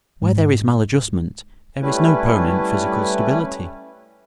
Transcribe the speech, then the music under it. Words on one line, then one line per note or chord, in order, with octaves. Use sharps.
Where there is maladjustment there is no permanent physical stability.
G#2
G3 A3 C#4 E4 B4